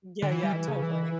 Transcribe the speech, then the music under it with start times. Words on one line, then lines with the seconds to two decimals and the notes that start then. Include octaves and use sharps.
Yeah, yeah, totally.
0.22 D3
0.32 E3
0.43 G3
0.52 E3
0.68 C#3
0.82 E3